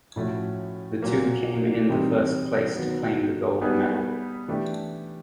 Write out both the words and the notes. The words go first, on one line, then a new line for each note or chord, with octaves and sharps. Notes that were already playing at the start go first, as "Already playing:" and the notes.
The two came in the first place to claim the gold medal.
A2 F3 A3 C#4 F#4
A#2 F#3 A#3
C3 E3 G3 C4 D#4
D#3 F#3 B3
G3 B3 D#4 G#4 B4
E3 A3 D4 G4